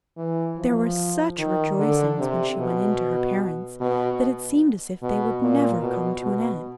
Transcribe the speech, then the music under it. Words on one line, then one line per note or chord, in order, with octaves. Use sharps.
There were such rejoicings when she went in to her parents that it seemed as if they would never come to an end.
E3
F3
D#3
D3
C3
B2
B2
B2
A#2
B2
B2